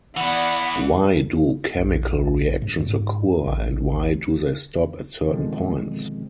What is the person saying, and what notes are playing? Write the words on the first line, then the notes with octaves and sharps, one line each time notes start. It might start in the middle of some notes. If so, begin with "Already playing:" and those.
Why do chemical reactions occur, and why do they stop at certain points?
E3 B3 D5 F#5
A#1
G2
G#2
A1
B2 D3 D#3 F3 G#3 C4